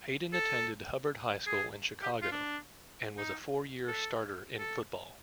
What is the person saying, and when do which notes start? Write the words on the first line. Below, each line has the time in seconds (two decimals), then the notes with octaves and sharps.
Hayden attended Hubbard High School in Chicago, and was a four-year starter in football.
0.33 A4
1.47 G#4
2.03 G4
2.22 F4
2.32 D4
3.18 D#4
3.88 A4
4.59 A4